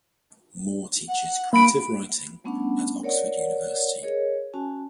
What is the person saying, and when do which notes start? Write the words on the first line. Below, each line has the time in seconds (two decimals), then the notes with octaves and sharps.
Moore teaches Creative Writing at Oxford University.
1.09 F#5
1.53 A#3 B5 D7
2.44 G3 A3 B3 C#4 D4 F#5
3.03 A#4 C#5 D5 F#5
4.02 G#4 A#4 C#5 D#5
4.54 C#4 F#4 G#5 A5